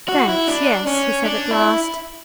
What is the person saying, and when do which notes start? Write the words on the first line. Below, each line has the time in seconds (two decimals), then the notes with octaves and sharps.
"Thanks, yes," he said at last.
0.09 F#4
0.29 E4
0.47 D4
0.87 C#4
1.25 D4
1.51 E4